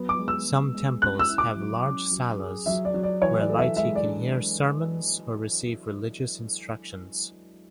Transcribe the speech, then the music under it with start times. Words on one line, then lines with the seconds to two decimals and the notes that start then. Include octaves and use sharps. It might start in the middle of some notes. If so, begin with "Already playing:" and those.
Some temples have large salas where laity can hear sermons or receive religious instructions.
Already playing: F#3 B3
0.09 D6
0.19 G#3
0.28 E6
0.46 G#3
0.74 G#3
1.02 C#4 F#6
1.19 E6
1.29 E4
1.38 D6
1.56 F#3
1.84 C#4
2.11 F#3
2.39 G#4
2.66 F#3 E5
2.85 D5
2.94 F#3
3.03 D5
3.22 E3 C#5
3.40 D5
3.49 A4
3.59 E5
3.76 G#3 E5
3.95 D5
4.04 D4